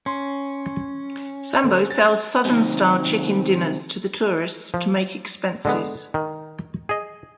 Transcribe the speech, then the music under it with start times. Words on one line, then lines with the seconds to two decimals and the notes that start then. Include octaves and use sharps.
Sambo sells Southern style chicken dinners to the tourists to make expenses.
0.06 C#4 C6
1.62 D3 C5
1.91 A6
2.45 C3 D#3 F3 F#3 G#3 C4
4.74 F3
5.65 D3 G#3 B3
6.14 D#3
6.89 G#4 D#5